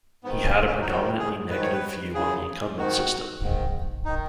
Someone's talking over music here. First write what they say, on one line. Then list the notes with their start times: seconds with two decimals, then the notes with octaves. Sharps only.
He had a predominantly negative view on the incumbent system.
0.24 G#2 D#3 B3
0.45 C#4
0.66 C#4
0.82 D#4
0.87 G#2 D#3 F#4
1.19 G#4
1.51 G#2 D#3 B4
1.62 C#5
1.73 B4
2.15 F#2 C#3 G#4
2.78 G#2 D#3 F#4
3.42 G#2 D#3
4.05 D#3 D#4